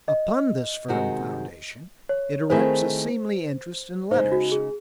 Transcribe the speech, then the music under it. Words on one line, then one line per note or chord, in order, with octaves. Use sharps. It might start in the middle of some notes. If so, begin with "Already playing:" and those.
Upon this firm foundation it erects a seemly interest in letters.
D#5
C3 D#3 G#3 D#4 F#4
C#5
D#3 A3 C4 E4 G#4 C5
C#3 G#3 D#4 C5
F#4
G#4